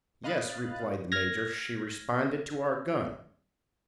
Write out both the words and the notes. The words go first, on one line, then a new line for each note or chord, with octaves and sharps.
"Yes," replied the major; "she responded to our gun."
C3 D#5 F5 B5 F#6 A6
F6 G#6 A#6